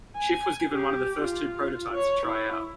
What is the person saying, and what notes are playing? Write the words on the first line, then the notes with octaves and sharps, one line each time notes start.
Schiff was given one of the first two prototypes to try out.
G#5
G4
F4
C#5
E4